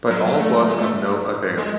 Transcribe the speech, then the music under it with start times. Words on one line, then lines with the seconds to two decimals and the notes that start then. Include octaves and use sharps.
But all was of no avail.
0.11 F#3
0.25 F#3
0.40 A3
0.69 G#3
0.79 A3
1.58 G#3